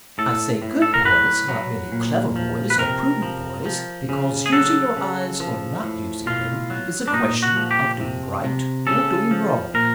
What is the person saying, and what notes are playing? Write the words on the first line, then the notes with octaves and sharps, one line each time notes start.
I say "good boys;" not merely clever boys, or prudent boys: because using your eyes, or not using them, is a question of doing Right or doing Wrong.
A2 A4
A2
A4
A#4
F#3 B4
F#3
A#2
F3
B4
C3 A#4
F3
F3
C#3
G#4
F#3 A4
C#3
F3
A2
B2 F4
F#3
D4
A#2 D#4
F#4
F3
G4
C3
C3
C#3 A4
F3
A#2 A#4